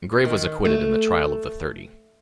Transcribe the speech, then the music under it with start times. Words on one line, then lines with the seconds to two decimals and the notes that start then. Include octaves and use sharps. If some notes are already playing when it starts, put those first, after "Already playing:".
Grave was acquitted in the "Trial of the thirty".
0.25 D#3
0.65 A3